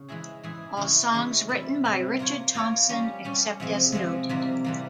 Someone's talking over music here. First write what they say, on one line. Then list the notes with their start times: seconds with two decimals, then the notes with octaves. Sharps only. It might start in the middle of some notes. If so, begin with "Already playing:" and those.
All songs written by Richard Thompson except as noted.
Already playing: C#3
0.09 E3 G#3 E4 G#4
0.43 E3 G#3 E4 G#4
0.77 C#3 E3 G#3 E4
1.13 C#3 E3 G#3 E4
1.49 C3 G3 C4 E4
1.84 C3 G3 C4 E4
2.19 A#3 F4 A#4 C#5
2.55 A#3 F4 A#4 C#5
2.89 G3 C#4 G4
3.24 G3 C#4 G4
3.60 C3 F3 G#3 C4
3.92 C3 F3 G#3 C4
4.29 C3 E3 G3 A#3
4.64 C3 E3 G3 A#3